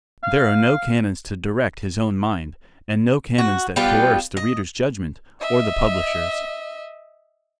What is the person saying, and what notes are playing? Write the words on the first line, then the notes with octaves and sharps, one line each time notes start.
There are no canons to direct his own mind, and no canons that coerce the reader's judgment or the publisher's.
F5
F#4
G3 B3 F4 G4
D#5
D#5 E5